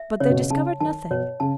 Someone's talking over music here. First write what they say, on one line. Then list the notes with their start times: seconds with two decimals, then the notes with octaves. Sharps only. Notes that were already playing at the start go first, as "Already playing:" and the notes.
But they discovered nothing.
Already playing: E5
0.20 C#3 C#5
0.30 B2
0.39 C#3
0.50 C#3 A5
0.80 D#3 A5
1.10 B2 C#5
1.40 C#3 A5